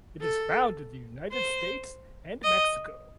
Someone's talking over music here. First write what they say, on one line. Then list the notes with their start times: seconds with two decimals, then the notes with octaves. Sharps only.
It is found in the United States and Mexico.
0.21 A4
1.33 C5
2.44 D#5